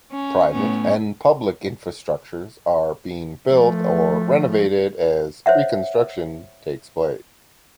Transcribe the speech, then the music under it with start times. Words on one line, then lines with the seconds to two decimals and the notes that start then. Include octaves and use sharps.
Private and public infrastructures are being built or renovated as reconstruction takes place.
0.12 C#4
0.54 A2 B3 C#4
3.49 F3 A3
5.46 C5 C#5 E5 F#5